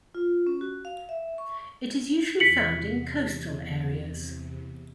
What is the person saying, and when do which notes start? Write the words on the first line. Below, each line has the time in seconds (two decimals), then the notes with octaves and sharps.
It is usually found in coastal areas.
0.15 F4
0.47 C#4
0.61 F#4
0.85 F5
1.09 E5
1.38 C#6
2.40 E2 C3 B6 C#7 F#7